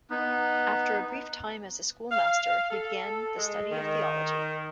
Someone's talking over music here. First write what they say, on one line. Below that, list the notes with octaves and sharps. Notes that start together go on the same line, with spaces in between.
After a brief time as a school master, he began the study of theology.
B3 D#4
F5
A4
G#3
D#3